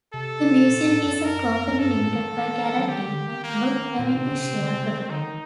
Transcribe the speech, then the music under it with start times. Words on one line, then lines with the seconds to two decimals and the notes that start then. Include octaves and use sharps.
The Museum is a company limited by guarantee and not having a share capital.
0.13 C3 A4
0.69 A#2
0.87 A2
1.05 F#2
1.24 A#4
1.70 F#2
1.79 G2 A4
1.97 A2
2.16 D#3
2.78 F#3
2.89 D#3 G4
3.08 D3
3.26 D#3
3.44 A#3
3.99 A#2 C4
4.18 C3
4.31 D3
4.36 C3
4.54 D3
4.73 C3
4.91 D#3
5.10 D3 D#4
5.22 D#3